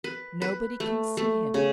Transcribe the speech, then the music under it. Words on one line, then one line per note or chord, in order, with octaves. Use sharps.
Nobody can see him.
B4
B4
A3
A3
C#3